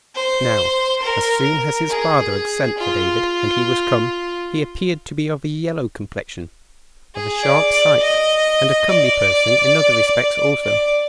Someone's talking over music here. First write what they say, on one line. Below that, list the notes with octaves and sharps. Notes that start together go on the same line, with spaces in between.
Now, as soon as his father had sent for David, and he was come, he appeared to be of a yellow complexion, of a sharp sight, and a comely person in other respects also.
C5
A#4
G#4
F4
G#4
D5
D5
D#5
D5
D5